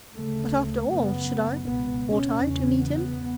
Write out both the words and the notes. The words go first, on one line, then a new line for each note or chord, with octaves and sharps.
But, after all, should I, ought I to meet him?
D2 C#3 A3
F#2 C#3 B3
C#2 B2 B3
C#4
E2 C#3
B3